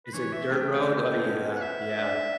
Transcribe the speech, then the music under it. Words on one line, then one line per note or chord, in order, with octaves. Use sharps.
Is it dirt road? Oh, yeah, yeah.
B4
E3 C#5
E5
A3 G5
A3
B3
C#4
F#5
E5
D4